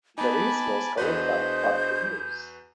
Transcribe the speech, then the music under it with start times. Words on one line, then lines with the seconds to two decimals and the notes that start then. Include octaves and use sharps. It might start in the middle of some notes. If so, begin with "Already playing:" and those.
The race was covered by Pathe News.
0.18 B3 D#4 G#5 A5 B5 D6
0.97 E2 D4 F#4 G#4 B4 C5 D#5 G6